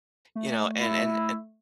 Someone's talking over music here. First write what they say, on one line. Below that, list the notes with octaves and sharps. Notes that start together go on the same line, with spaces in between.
you know, and and
A3
E4